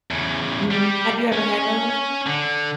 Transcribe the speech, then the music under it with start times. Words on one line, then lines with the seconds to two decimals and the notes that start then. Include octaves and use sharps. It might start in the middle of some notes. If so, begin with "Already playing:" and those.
Mhm, have you ever had those?
0.11 E2 C#3
0.71 G3 G4
1.32 C#4 C#5
2.27 D3